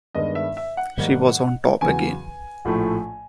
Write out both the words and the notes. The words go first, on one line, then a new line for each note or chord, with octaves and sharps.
She was on top again.
G2 D#3 G#3 B3 D4 D#5
E5
E5
F#5
G#2 D#3 G3 A#3
E2 C#3 F#3 G#5
A#1 A2 F3 A3